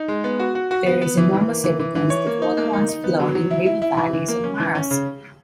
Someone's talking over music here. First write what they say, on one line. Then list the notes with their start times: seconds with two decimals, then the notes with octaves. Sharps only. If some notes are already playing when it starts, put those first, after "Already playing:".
There is enormous evidence that water once flowed in river valleys on Mars.
Already playing: D#4
0.08 G#3
0.24 B3
0.39 F#4
0.55 F#4
0.71 F#4
0.86 B3
1.02 B3
1.17 E3
1.33 E3
1.49 A#3
1.64 E3
1.79 E3
1.95 E3
2.10 C#5
2.27 A#3
2.42 D#4
2.57 A#3
2.73 D#4
2.88 D#4
3.04 B3
3.20 F#3
3.35 F#3
3.51 E4
3.66 E4
3.82 E4
3.97 E3
4.13 E3
4.28 A#3
4.44 C#4
4.60 E3
4.75 C#4
4.91 C#3